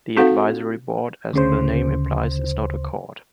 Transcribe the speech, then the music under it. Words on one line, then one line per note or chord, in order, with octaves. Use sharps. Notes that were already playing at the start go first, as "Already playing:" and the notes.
The Advisory Board as the name implies is not a court.
C4 D#4 F#4 A4 F5 F#5
D2 C#3 C5